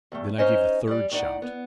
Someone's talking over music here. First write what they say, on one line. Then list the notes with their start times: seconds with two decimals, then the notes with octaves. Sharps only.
Then I gave the third shout.
0.12 E2 G2 A3
0.38 C#4 D#4 C5 C#5 D#5 G#5
0.87 G3 D5
1.11 A2 D#4 D5 F#5
1.42 B3